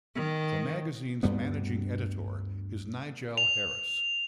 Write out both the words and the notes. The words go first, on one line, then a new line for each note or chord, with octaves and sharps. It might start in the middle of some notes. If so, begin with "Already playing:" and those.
The magazine's Managing Editor is Nigel Harris.
D#3
D2 G2 G3 B3
F7